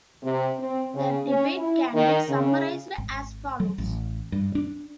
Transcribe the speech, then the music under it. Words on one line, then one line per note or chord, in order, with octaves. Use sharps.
The debate can be summarised as follows.
C3
C4
C#3
C#4
E4
D#3
C#3
G#1
F#3
A1
G2
D4